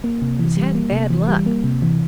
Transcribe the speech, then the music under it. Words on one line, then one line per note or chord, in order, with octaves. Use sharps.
"He's had bad luck."
A#3
C3
E3
G3
A#3
C3
E3
G3
A#3
C3
E3